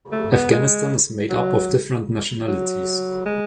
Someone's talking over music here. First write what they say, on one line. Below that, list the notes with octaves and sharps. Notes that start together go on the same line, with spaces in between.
Afghanistan is made up of different nationalities.
A3
B3
G#3
F#3
F#3
G#3